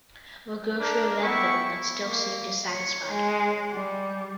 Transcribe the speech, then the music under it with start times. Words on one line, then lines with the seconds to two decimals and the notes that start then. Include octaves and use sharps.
The grocer read them, but still seemed dissatisfied.
0.80 D4 A#4
1.23 B3 E4 G5 C#6
2.04 A#3
2.69 C#5
3.10 G#3
3.72 G3